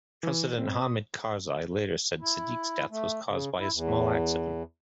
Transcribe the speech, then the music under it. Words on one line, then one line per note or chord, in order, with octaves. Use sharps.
President Hamid Karzai later said Sadiq's death was caused by a small accident.
E3
C4
D#6
E4
A3
C#3
E4
E2